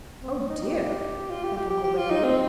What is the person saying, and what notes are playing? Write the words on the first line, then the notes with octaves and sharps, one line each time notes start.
"Oh, dear!" thought Uncle Wiggily.
C4
C#4
D#4
G4
F4
G4
G4
G4
G4
F4
D#4
C4